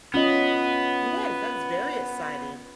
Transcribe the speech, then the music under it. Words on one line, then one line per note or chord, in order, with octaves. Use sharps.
Yes, that was very exciting,
B3 C#4 F4 D#5